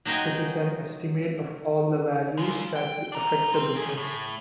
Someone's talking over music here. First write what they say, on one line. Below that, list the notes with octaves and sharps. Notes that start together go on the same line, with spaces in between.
It is an estimate of all the values that will affect the business.
F#3 D#4 C5 D#5 G5 G#5
G#3 F4
G5
D4 A#5
C4
B1 G#4
A2